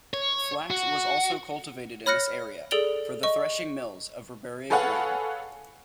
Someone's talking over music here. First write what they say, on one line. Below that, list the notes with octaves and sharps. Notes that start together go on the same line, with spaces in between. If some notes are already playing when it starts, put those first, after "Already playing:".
Flax was also cultivated in this area, for the threshing mills of Riberia Grande.
C#5
F#4
C#5 B5 F6 F#6 A#6 C#7
G#4 A4 D5 D7 F7 G7
D#5 C#6
G#4 A4 B4 C#5 F5 F#5